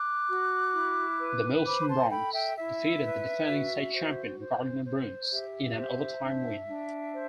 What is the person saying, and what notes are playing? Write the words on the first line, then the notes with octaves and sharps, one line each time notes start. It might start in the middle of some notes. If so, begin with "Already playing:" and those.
The Melstone Broncs defeated the defending state champion Gardiner Bruins in an overtime win.
Already playing: D6 F#6
F#4
E4
B4
C5 B5 D6
B5
A5 C6
A4 G5 B5
E5 G5
E4 E5
B4
F#4
C5
C5
C5
G4 E5
C5
D4
D4
C5